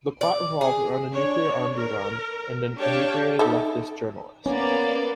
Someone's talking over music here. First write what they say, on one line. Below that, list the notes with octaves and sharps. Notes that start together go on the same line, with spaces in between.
The plot revolves around a nuclear-armed Iran and an inebriated leftist journalist.
D5
G#4
D4 C#5
A#4
D4 G4 C#5 F5 G5 A5
D#4 A4 E5
A#3 B3 C#4 D5